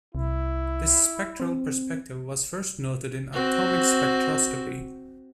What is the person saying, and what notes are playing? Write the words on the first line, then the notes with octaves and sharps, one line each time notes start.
This spectral perspective was first noted in atomic spectroscopy.
C2 E4
C4
C4 F#4